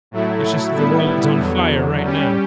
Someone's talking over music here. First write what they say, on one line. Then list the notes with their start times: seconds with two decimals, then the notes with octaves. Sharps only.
It's just that the world's on fire right now.
0.11 A2 F#3 A3 E4
0.75 A2 G3 B3 E4
1.38 E2 D3 F#3
2.02 G3 C#4 G4